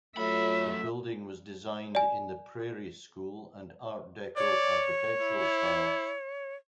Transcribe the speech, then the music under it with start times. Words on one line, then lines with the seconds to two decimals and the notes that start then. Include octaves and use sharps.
The building was designed in the Prairie School and Art Deco architectural styles.
0.17 F#2 F#3 A3 F4 A4 C#5 E5 B5
1.95 D5 G#5
4.37 C#5 D5
5.20 E4